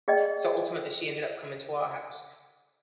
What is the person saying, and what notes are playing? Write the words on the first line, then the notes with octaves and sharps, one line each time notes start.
so, ultimately, she ended up coming to our house,
G#4 D5 D#5 G5